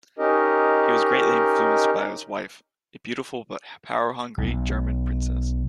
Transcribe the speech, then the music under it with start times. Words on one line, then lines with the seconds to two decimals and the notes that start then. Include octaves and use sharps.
He was greatly influenced by his wife, a beautiful but power-hungry German princess.
0.19 C#4 D#4 G4 A#4 D#5
4.38 B1